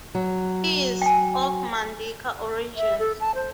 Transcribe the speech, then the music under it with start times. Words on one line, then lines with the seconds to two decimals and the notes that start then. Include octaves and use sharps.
He is of Mandinka origins.
0.15 F#3
1.02 G5 G#5
2.77 E5
2.99 A4
3.20 A5
3.35 C5